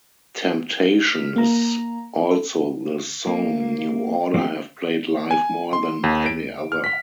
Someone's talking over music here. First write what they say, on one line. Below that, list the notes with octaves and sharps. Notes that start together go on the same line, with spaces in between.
"Temptation" is also the song New Order have played live more than any other.
F6 B6
A#3 A#5
A4
A#3
F3 F#3 A3 C4 G4
G#5
C6
D#2
D7
F6
B6